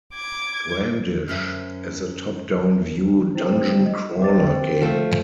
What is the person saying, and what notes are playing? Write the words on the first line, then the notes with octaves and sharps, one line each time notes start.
"Brandish" is a top-down view dungeon crawler game.
D6 G#6
F#2 C#4 C5 E5
C4 E4
D#5
C4 G4 D6 A6
F3 A3